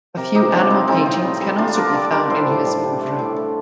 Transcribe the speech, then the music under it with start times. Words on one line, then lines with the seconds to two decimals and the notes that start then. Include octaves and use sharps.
A few animal paintings can also be found in his oeuvre.
0.17 C3 G4 A#4
0.34 C3 D#4 G4
0.52 G3 D4 F4
0.70 G3 C4 D#4
0.87 A2 C4 D#4
1.06 A2
1.24 G3
1.41 G3
1.58 D3 D4 F4
1.76 D3 A#4 D5
1.94 G3 A#4 D5
2.12 G3 A#4 D5
2.30 A2 A4 C5
2.48 A2
2.65 G3
2.84 G3
3.01 A3
3.19 A2
3.36 A2